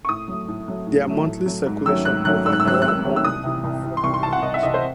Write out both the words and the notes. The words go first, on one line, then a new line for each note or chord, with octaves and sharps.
Their monthly circulation hovered around one million for many years.
C#6
A2 D#6
F#3 A3
A2
F#3 A3
A2
F#3 A3
A2
F#3 A3
G#2
D#3 F#3 A3 C#4 E6
G#2 F#6
D#3 F#3 A3 C#4 F#6
G#2 E6
F#6
E6
D#3 F#3 A3 C#4 F#6
E6
F#6
G#2 E6
D#3 F#3 A3 C#4
E6
C2 D#6
C3 E3
C2
C3 E3
C6
C2 C#6
C6
C3 E3 A5
F#5
C2 D#5
E5
C3 E3 D#5
C5